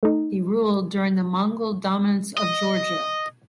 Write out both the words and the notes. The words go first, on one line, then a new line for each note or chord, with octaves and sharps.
He ruled during the Mongol dominance of Georgia.
A3 D#4
D#5